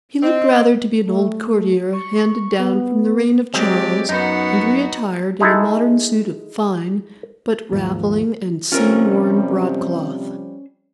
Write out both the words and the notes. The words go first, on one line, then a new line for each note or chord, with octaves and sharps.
He looked rather to be an old courtier handed down from the reign of Charles, and re-attired in a modern suit of fine, but raveling and seam-worn, broadcloth.
C4 D#5
A3
C#6
B3
F#3 G#3 C4 G4 D5
F#2 B3 D#4 F#4
G#3 D#4 E4 G#4 A4
D#2 G#2 F3
C3 F3 G3 C#4 F4 A#4 C5 C#5